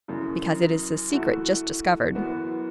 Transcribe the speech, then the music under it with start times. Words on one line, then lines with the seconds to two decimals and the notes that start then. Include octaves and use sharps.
"Because it is a secret just discovered."
0.08 F#2 C#3 E3
1.12 E3 A3 F#4
2.15 F#2 E3 B3 F#4